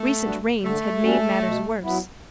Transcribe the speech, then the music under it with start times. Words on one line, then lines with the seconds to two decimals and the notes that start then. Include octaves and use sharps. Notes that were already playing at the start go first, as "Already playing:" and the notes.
Recent rains had made matters worse.
Already playing: A3
0.23 B3 D4 F#4
0.63 D3 A3
1.03 G3 C#4 F#4
1.43 B2
1.84 F#3 B3 E4